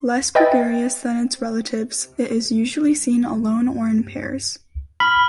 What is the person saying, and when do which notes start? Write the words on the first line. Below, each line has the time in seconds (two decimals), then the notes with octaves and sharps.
Less gregarious than its relatives, it is usually seen alone or in pairs.
0.35 B4 D#5 E5 G5 G#5 A6
5.00 B5 F6